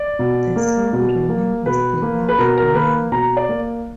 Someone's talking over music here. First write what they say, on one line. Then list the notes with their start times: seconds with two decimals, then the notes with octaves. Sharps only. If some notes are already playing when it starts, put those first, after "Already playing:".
The song remembers the loved one.
Already playing: D5
0.19 B2
0.56 A#3
0.93 B2
1.29 A#3
1.66 B2 B4
2.02 A#3
2.29 B4
2.38 B2 A#4
2.58 A#4
2.75 A#3 B4
3.12 B2 A#5
3.37 D5
3.49 A#3